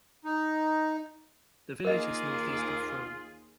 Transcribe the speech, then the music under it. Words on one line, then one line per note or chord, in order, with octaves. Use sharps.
The village is north-east of Frome.
D#4
D#2 A#3 F4 G#4 A#4 D#5